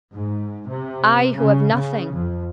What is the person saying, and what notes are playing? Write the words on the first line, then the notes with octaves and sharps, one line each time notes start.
I, who have nothing!
G#2
C3
C#3
C#3
F2